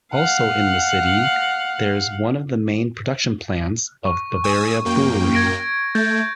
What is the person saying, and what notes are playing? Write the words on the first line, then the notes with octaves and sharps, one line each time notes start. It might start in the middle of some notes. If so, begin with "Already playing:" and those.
Also in the city, there's one of the main production plants of Bavaria Brewery.
F5 F#5
C#6
G#5 D#6 E6
F#2 A#3 G5
G#6 A#6 D7
A3 G6 A6